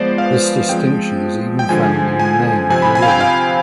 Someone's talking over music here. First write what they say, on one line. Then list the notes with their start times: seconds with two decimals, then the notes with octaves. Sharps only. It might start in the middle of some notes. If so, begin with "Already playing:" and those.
This distinction is even found in the name of the river.
Already playing: F3 G#3 B3 C5 D5
0.18 F5
0.68 F3 G#3 C4 G5
1.59 G5
1.69 D3 F3 G#3 G#5
2.20 G#5
2.70 C3 F3 C4 G#5
2.82 B5
2.95 G#5
3.02 F5
3.08 G5
3.21 F5